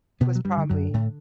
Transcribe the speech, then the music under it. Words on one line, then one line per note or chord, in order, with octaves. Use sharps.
was probably
B2 D3 B3
F#3
G2 G3
D3
F#2 F#3
A2 D3 A3